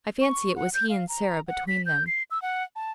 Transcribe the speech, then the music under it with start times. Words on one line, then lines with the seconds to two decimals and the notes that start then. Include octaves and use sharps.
I fancy it was he and Sarah between them.
0.21 C#6
0.56 F#5
0.74 G6
0.89 F5
1.09 A#5
1.48 F#5
1.68 B6
1.86 G6
2.07 C7
2.31 E6
2.42 F#5
2.76 A5